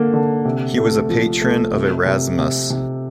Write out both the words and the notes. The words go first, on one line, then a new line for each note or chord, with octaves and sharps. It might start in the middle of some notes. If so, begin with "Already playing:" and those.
He was a patron of Erasmus.
Already playing: D3 A#3
D3
C3
A3
F3
A3
C3
C3
C3
C3